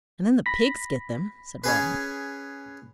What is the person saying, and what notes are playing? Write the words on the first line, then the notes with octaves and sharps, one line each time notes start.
"And then the pigs get them," said Robin.
B5 A#6 B6
C#4 G#4 B4